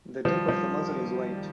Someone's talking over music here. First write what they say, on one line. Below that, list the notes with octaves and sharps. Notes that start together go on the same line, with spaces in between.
The tip of the muzzle is white.
D#3 F3 G3
F3